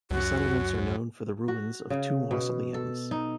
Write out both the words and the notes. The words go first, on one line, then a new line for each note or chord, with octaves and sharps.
The settlements are known for the ruins of two mausoleums.
C#2 F#2 F#4
F#4
C#3
B2
A4
D#4